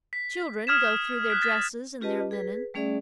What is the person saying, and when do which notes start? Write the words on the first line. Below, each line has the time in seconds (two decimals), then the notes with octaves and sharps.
Children go through their dresses and their linen.
0.13 B6
0.67 D#6 F6 G#6 B6 E7
1.30 F#6 B6
1.42 A6 B6
2.01 C#4 F4 G4 B4 D#5 A5
2.31 G#4 B4
2.74 G3 A3 C#4 G#4 D5 E5